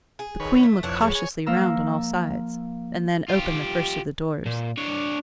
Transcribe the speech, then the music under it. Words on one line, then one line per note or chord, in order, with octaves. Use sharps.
The Queen looked cautiously round on all sides, and then opened the first of the doors.
G#4
D#3 B4 C#5
A3
F2 E3 D4 C#5
G#3 B3
C#5 G#5
F3 A#3 F5 A#5 E6
F4 G4
A#2
D4 C#5